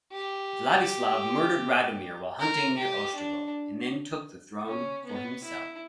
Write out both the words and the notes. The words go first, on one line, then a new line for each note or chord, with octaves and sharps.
Vladislav murdered Radomir while hunting near Ostrovo, and then took the throne for himself.
G4
A#4
G4
D4
C#4
B3
E4